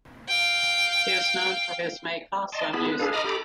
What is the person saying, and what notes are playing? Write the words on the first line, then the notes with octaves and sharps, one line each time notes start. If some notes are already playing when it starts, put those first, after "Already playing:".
He is known for his makossa music.
F5 G5
D5 D#5 A5 C6
B3 E4 G#4 A5 B5
B4
D4 G#4 A4 B4 F5
D#5 A#5 B5 D6 D#6 F6
G4 A4 A#5 B5 D6